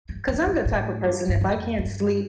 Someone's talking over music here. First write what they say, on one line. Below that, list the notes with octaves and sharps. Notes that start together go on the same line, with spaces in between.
'cause I'm the type of person, if I can't sleep
G2
F2
G2
A2
G2
G2
F2
G2